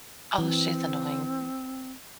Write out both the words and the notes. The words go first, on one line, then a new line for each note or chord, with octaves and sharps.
Oh, she's annoying.
E3 C4